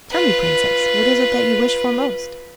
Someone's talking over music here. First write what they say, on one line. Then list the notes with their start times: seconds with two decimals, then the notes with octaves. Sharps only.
Tell me, Princess, what is it that you wish for most?
0.10 F4 B4